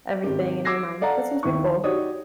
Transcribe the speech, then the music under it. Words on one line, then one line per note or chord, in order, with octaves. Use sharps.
everything in your mind. That sounds beautiful.
G#1 G4
D6 E6 G#6 A#6 C7
A4 D5 F5 F#5 A#5
D#2 E4 C#6
D#4 F#4 G4 C#5 D5 D#6